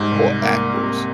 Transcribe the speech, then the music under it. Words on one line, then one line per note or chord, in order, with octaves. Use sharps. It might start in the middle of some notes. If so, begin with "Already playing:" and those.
or actors,
Already playing: G#2 G3
C2
A#3
C3